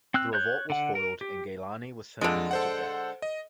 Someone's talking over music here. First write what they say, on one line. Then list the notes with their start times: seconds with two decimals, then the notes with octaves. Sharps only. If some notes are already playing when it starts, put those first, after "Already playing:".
The revolt was foiled and Gaylani was sentenced to death.
0.14 C4 E6 F#6
0.33 C#5 F#6 G6
0.70 D3 F#5
0.95 A#4
1.21 G4
2.21 F2 D3 F3 G#3 D7
2.51 A4 C5 F#5
3.22 D#5